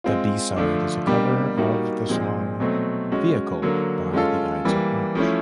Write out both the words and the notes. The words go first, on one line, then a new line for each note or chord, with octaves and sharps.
The B-side is a cover of the song "Vehicle" by The Ides of March.
G#3 C4 F4
D3 F3 A3 D4 F4
B2 G3 A#3 D4 G4
G3 A#3 D#4 F#4
A#2 F3 G#3 C4
B2 F#3 A3 C4
G#3 C#4 F#4
D3 F#3 A#3
G#3 C#4 F4 A4
E3 G3 A#3
F3 A3 C#4 E4